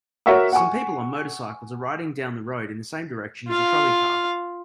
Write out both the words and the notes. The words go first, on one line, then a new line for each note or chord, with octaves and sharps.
Some people on motorcycles are riding down the road in the same direction as a trolley car.
F#4 A#4 C#5 E5 F#5 C#6
F#5 G#5 C#6
F4 F5